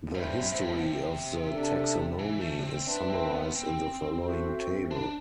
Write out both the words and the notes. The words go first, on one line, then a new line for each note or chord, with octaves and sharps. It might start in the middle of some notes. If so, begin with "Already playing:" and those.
The history of the taxonomy is summarised in the following table.
G2 C5 E5 B5
F#2
A2
G2
D3
C3
D4 A4 E5
E3
A3
D4
C4
D4 B4 E5 A5 C6
C4
B3
C4
F#4 A4 C5 E5
D4